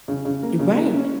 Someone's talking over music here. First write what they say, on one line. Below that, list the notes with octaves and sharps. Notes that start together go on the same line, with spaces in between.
You right.
C#3
C#3
A#3
C#3
A#3
C#4